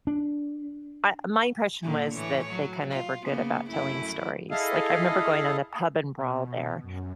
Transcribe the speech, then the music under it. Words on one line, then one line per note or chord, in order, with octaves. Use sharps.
uh, my impression was that they kinda were good about telling stories. Like, I remember going on the pub and brawl there,
D4
A#2 D3 F#3
A2 E3 C#5
F#3
F4
C#3 A#3 B3
F#2 A3 E4
E4 G#4 A4 D#5 F5
B2
F#2